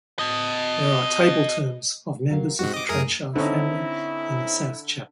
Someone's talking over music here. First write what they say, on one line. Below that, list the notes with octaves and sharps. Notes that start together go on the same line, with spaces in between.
There are table tombs of members of the Trenchard family in the south chapel.
D#5 A5
F#3 A#4 F5
G#2 C4 D#4 F#4 G4
D#5 D6
F#2 A3 D#4 G#4 A#4 D#6
D3 C4 C#4 D#4 E4